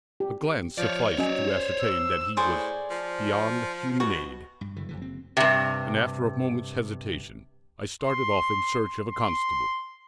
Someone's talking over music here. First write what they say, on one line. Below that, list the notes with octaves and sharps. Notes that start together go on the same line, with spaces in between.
A glance sufficed to ascertain that he was beyond human aid, and after a moment's hesitation, I started off in search of a constable.
G4
F3 C#5 D5
F#3 C#4 D#5 G#5
C5
E6
A2 G#4 C5 D5
F3
B2 F#4
G2
F#1 G2 D3 E3
F2 D3 E3
C4
G2 C3
C6
C6